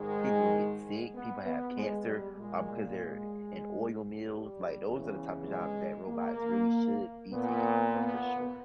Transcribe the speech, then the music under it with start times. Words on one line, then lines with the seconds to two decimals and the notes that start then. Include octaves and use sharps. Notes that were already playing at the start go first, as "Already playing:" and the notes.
people get sick, people have cancer, uh, because they're in oil mills, like, those are the type of jobs that robots really should be taking over for sure.
Already playing: G#2 D#3 G#3
1.15 B3
1.45 B3
1.76 G#3
2.08 G3
2.38 A#2 G#3
3.00 G#3
4.23 G3
4.86 E2 C#3 E3
5.47 G#3
6.09 A#3
7.32 A#2 B3
7.94 B3